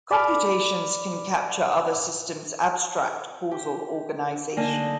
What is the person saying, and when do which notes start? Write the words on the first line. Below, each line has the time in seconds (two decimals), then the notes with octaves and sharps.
Computations can capture other systems' abstract causal organization.
0.11 D5 B5 D6 F6
3.51 G4
4.57 D3 A#3 D#4 D#5 G#5 A5